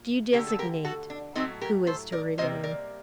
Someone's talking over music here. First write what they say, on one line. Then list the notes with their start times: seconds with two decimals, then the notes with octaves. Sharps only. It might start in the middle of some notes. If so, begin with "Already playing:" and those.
"Do you designate who is to remain."
Already playing: A#2 A#3
0.33 D3 A3 G4 A#4
0.47 A4
0.59 G4 A#4
0.84 F#4 A4
1.10 D4
1.35 A2 F#3 A3 C4 D#4
1.61 G4 A#4
1.87 A4 C5
2.12 A#4 D5
2.38 C3 G3 A#3 C5 D#5
2.63 A#4 D5